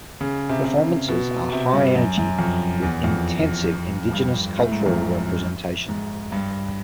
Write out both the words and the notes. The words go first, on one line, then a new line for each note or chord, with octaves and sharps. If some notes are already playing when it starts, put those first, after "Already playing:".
Performances are high-energy, with intensive indigenous cultural representation.
C#3
C3
C3
B2
C3
G2
F#2
F#2
F2
E2
F2
G2
A2
G#2
F#2
F2
G#2
G2